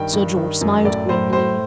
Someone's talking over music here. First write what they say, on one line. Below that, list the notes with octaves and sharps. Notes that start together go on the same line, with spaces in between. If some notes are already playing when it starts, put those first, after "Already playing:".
Sir George smiled grimly.
Already playing: G2 D#3 G5
G2
D#3
F#2
A2 D5
A2 C5
A2 C5